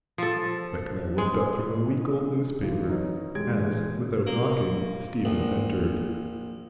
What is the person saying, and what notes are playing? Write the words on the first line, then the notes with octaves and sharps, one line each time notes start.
Bechamel looked up from a week-old newspaper as, without knocking, Stephen entered.
F3 A4
G#3
G#1 E2
B3 D#4 C#5
E1 G#3 G4 G#4 G#6 D7
A#3
A#1